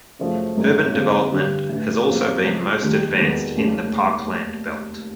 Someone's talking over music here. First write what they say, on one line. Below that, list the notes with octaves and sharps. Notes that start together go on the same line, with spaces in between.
Urban development has also been most advanced in the parkland belt.
F#2 C#3 F3 A3
G#1 F#2 C#3 F#3
F2 D3 F3 A#3
G2 D3 G3
A1 A2 E3
F2 C#3 F3 A#3
C#2 C#3 F3
F1 D#2 D#3 G3
E1 D#2 D#3 G#3 B3
F1 D#2 C#3